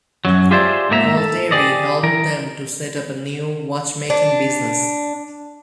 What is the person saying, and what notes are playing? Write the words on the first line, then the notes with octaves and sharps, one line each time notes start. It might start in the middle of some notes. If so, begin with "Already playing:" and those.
Voltaire helped them to set up a new watchmaking business.
F#2 F#3
F4 G4 G#4 C5 D5 E5
G#2 A3 A#3 G#4 E5 A#5
A4
G4 G#4 D5 D#5
E3 A#4
D4